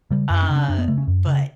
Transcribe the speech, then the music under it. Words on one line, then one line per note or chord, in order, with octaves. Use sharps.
uh, but,
C#3 G3
F#2
C#4
C#3
C#4
F#2 D4
B3
C#3 A3
C#4
F#2
C#3